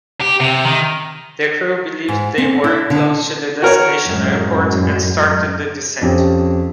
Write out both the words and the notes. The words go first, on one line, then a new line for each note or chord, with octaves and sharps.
The crew believed they were close to the destination airport and started the descent.
G4
C3
D#3
G#2
C4
E4
D3
F#4 A#4 C#5
F#2 A2 G#3
F2 C4 C#4 G4